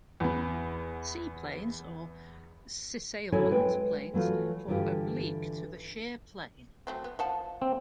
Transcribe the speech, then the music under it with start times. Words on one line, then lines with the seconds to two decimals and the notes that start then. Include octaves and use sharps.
C-planes or "cissalement" planes form oblique to the shear plane.
0.20 E2 B3
3.32 D3 F#3 E4 A4 C#5 G#5
3.51 G#3 B4 G5
4.14 E3 F#3 A3 F4
4.67 G2 D3 E3 F4 G4
6.87 F#3 A3 C4
7.04 B3
7.19 F3 F#5 A5
7.62 C4